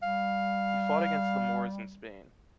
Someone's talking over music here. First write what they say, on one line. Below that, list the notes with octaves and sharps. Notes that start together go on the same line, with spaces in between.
He fought against the Moors in Spain.
G3 F5